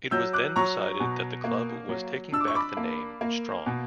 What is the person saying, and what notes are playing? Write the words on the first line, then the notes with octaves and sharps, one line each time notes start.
It was then decided that the club was taking back the name "Strong".
F#3 E6 G6
D6 F#6
F#3 A#5 C#6
B2
A#3
F#3
D4 E6
D6
C#6
B5 D6
A#3
A#3
B2